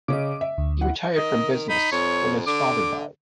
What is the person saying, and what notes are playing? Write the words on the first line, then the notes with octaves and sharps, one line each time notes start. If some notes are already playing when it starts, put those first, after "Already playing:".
He retired from business when his father died.
C#3 C#4 D#5 D6
E5
D2
E4 F#5
D#3 D#5
D#4 B5
F2 C#5
D3 D6